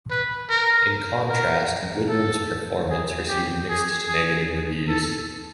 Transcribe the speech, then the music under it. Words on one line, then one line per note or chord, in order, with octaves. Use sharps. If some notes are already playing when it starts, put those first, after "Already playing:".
In contrast, Goodrem's performance received mixed to negative reviews.
B4
A#4
A#4
A4
G#4
G4
G#4
G#4
A4